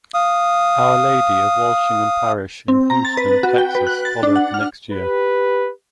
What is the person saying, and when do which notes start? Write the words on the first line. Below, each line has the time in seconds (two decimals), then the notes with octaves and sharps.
Our Lady of Walsingham parish in Houston, Texas, followed the next year.
0.14 F5 D#6
2.68 C4
2.90 A#5
3.05 A6
3.17 B4
3.43 F#4
3.58 G5
3.75 B4
3.87 F#6
4.05 A6
4.23 D4
4.36 F#5
4.54 F6
4.91 G4 B4